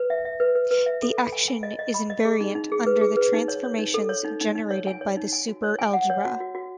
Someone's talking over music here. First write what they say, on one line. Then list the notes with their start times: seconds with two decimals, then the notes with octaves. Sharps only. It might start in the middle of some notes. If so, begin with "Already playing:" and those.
The action is invariant under the transformations generated by the superalgebra.
Already playing: B4
0.10 E5
0.25 E5
0.40 B4
0.55 B4
0.71 B4
0.86 E5
1.02 A4
1.18 B5
1.33 G#5
1.48 G#5
1.63 D#5
1.79 D#5
1.94 B5
2.10 D#5
2.25 G#4
2.41 D#4
2.55 D#4
2.72 G#4
2.87 B4
3.01 G#4
3.17 B4
3.33 D#4
3.48 C#5
3.64 C#5
3.79 D#4
3.94 A4
4.09 C#5
4.24 D#4
4.41 D#4
4.56 D#4
4.71 C#5
4.87 G#5
5.01 C#5
5.17 D#4
5.33 G#5
5.48 F#4
5.64 C#5
5.79 G#5
5.93 F#5
6.10 C#5
6.25 F#4
6.40 F#4
6.55 F#4